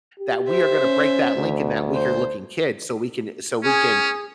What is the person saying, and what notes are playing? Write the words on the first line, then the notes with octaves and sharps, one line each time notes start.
that we are gonna break that link in that weaker looking kid so we can so we can
G4
C5 E5
C#4
D2
C5
C#4 G#4